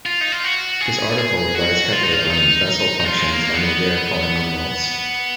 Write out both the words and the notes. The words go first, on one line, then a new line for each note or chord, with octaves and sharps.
This article relies heavily on Bessel functions and Laguerre polynomials.
F4
D#4
F4
F#4
G#4
G#4
F#4
F4
D#4
F4
D#4
D#4
F4
G#3
A#3
B3